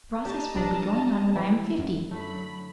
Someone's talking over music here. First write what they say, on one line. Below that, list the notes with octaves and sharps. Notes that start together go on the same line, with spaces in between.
The process will be going on when I am fifty.
D4 G4 D#5 A5 A#5
B1 G3 D4
E3 E4
F#2
D3 F#3 A3 B5